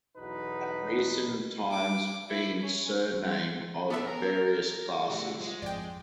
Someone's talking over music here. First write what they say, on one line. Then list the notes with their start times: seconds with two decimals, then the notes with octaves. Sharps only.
At recent times been surname of various classes.
0.17 B1 E2 B2 D#4 B4
1.71 D6
2.29 E4
2.62 C#4
3.29 G#3 C4 C5
3.90 F#3 B3 D4 A4 D5 E5
4.06 C#4 A#4 A#5
5.10 A2 D3 G3 F#4
5.41 F3 G#3
5.62 G#1 F2 D5 G5